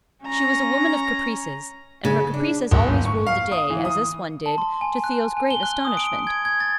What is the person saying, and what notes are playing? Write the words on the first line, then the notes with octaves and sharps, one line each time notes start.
She was a woman of caprices, and her caprices always ruled the day, as this one did, to Theo's great astonishment.
C#4 A#5
C#3
D4
F#1
G1
C#6
F5
D#6
E3
D#6
A5
C6
G#5
F#6
G#5
G7
F#6
D#6
D7
G#6
G#6
A6